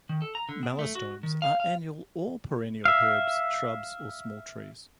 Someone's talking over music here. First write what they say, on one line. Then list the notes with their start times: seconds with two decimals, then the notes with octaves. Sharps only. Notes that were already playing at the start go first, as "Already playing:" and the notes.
Melastomes are annual or perennial herbs, shrubs, or small trees.
0.09 D#3
0.22 A4
0.35 A#5
0.49 D3
0.63 B3
0.79 A3
0.95 F#4
1.23 D#3
1.42 F5
1.60 F5
2.85 E5 F5